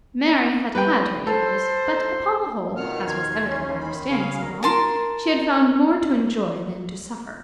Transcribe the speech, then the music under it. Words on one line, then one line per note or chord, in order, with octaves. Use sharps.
Mary had had her evils; but upon the whole, as was evident by her staying so long, she had found more to enjoy than to suffer.
G3 B4 G5
A4 C5
B2 D#3 F4 F#5 F6
D#2 C6 G#6
C#4
D#3 B5
C#3 G#4 F5
D2 A#4
A#4 A5 C6